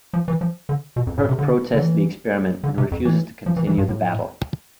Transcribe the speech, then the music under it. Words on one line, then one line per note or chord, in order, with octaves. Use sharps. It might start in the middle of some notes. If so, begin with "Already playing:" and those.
Kirk protests the experiment and refuses to continue the battle.
F3
E3
F3
D3
B2
F2
A2
C3
D3
D3
E3
D3
C3
F2
E3
F3
E3
E3
G2
A2